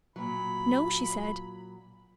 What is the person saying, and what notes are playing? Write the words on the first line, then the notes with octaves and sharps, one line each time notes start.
"No," she said.
A#2 F#3 B5